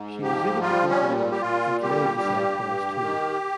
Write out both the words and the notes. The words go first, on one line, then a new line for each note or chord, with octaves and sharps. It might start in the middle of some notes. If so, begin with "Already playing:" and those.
She was able to go to Rome and lay beside Paul's tomb.
Already playing: G#2
F3 G4
G3 F4
C#4
A#2
G4
A#2 F4
G3 G4
G2
G2
D#3